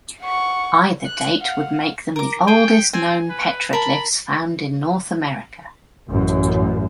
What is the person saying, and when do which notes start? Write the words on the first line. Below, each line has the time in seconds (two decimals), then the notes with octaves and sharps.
Either date would make them the oldest known petroglyphs found in North America.
0.22 F#5 C#6
1.06 F#6
1.40 F5 F#5
2.16 A#4 D6
2.48 G#4 G5
2.93 C4 G#5
3.30 B4
3.73 A#4 A5 B5
6.09 A1 F#2